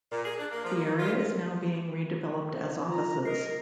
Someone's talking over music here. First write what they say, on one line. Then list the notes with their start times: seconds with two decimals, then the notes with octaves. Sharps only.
The area is now being redeveloped as offices.
0.11 A#2
0.25 G#4
0.38 D4
0.51 A#3
0.64 F3
0.76 A#3
0.98 F4
2.54 C5
2.88 F4 A#5
3.25 A#4 D#5 C7